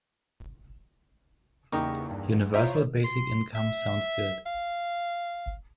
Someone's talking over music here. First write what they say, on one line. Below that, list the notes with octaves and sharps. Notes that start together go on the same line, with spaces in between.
Universal basic income sounds good.
E2 C#3 A#3 D#4 G4 G5 C#6
G2
E4 F4 C5 C#5 E5 A#5 G6
C6
E5
F5